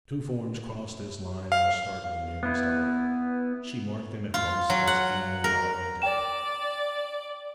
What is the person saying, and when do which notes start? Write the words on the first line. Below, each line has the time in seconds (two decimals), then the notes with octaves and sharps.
Two forms crossed this line at a startling nearness to her; she marked them at once as Anne and Bob Loveday.
1.52 F5
2.43 B3 E4
4.34 F4
4.70 F#3
4.87 F#5
5.44 A#4
6.02 D5 G5 E7